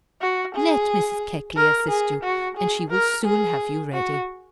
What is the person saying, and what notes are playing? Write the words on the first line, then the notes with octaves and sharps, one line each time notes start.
"Let Mrs. Keckley assist you, and she will soon have you ready."
F#4
G#4
A#4
G#4
F#4
G#4
A#4
G#4
F#4